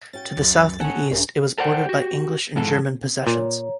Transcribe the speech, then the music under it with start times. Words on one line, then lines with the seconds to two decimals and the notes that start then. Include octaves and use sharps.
To the south and east it was bordered by English and German possessions.
0.13 C#4 F#4 G5 A6
0.37 C#2 F#2 F#3
0.80 C#4 A4 F#5 G#5
1.11 A#1 G2 G#4 A#4 C#5
1.58 A4 A#4 C5 D5 F#5 G5
1.86 F#4 G4
2.56 F2 G#2 E3 G#3 A4
3.27 A#2 C#5 A#5